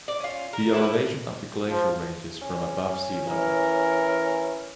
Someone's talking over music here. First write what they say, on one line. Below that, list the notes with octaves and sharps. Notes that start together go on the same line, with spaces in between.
The elevation of the glacier ranges from above sea level.
D5
C#4 F4
A#4
F3 E4 A4 B4
F3
C#4
E3 A#4